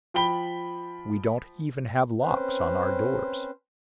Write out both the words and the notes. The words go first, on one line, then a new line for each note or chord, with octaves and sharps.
We don't even have locks on our doors.
F3 G5 B5 G7
C4 C#4 B4 C5